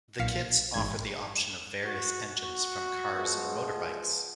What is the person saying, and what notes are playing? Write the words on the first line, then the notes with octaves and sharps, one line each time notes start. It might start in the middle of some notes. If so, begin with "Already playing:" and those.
The kits offer the option of various engines from cars and motorbikes.
B1 A#2 F5 B6 C#7 E7
A1 G#2 G#6
F#4
F#4
F3 G#3 B3